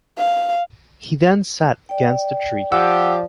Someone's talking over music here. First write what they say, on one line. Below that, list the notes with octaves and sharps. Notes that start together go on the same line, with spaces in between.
He then sat against a tree.
F5
D5 G5
F3 F4 G4 D5 F#5 E6